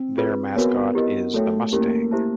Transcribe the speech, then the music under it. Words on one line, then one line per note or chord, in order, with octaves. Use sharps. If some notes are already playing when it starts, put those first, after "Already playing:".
Their mascot is the Mustang.
Already playing: C4
F4 G#4 B4
B3 F#4 A#4 C#5 E5 G#5
E4 G4 A#4 D#5
A3 F#4 A4 C#5 E5 G5
A#3 C#4 E4 G4
E4 G4 C5 E5 A5